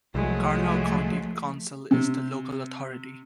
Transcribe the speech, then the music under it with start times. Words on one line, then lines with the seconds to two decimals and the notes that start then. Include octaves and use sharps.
Carlow County Council is the local authority.
0.15 C2 F3 F#3 G#3 A3
1.91 C3